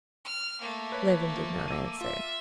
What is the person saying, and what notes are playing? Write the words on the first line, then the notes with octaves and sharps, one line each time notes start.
Levin did not answer.
F6
A3 A#3
B4 C#5
F3
D6 E6 D#7
F4 E5